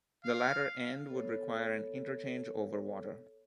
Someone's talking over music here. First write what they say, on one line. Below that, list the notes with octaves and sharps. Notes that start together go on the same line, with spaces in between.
The latter end would require an interchange over water.
F5
B3 A4 C#5